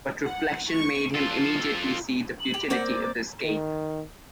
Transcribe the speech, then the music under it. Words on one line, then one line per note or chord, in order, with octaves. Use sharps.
But reflection made him immediately see the futility of escape.
F#5
C#6
F4 A4
F#7
G4
A#3 C4 D5 F#5
D6
D#3